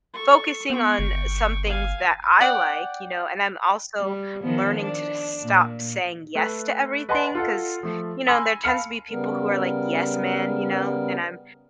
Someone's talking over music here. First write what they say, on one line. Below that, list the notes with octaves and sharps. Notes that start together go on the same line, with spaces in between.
focusing on some things that I like, you know, and I'm also learning to stop saying yes to everything, 'cause, you know, there tends to be people who are like, yes-men, you know, and I'm
A4 C#6
B3 G5 C#6
G1
F5 G#5
D5 F#5 G5
G3
D#3 F3 B3
D4
A#2
A3 A4 B4
B4 D#5 F#5 G#5 A5 C6
F4 A4 F#5
F3 A3
G#5 B5 C6 E6 A#6
F5 A5 B5 F6 C#7
C#3 G3 B3 A#4